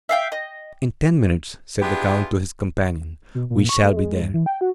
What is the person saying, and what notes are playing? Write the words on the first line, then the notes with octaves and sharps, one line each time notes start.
"In ten minutes," said the count to his companion, "we shall be there."
E5 F5 G5
D#5
B3 D4 E4 F4 G4 G#4
B2
A#2
C#6
A3
G#3
G2
E3
G5
F#4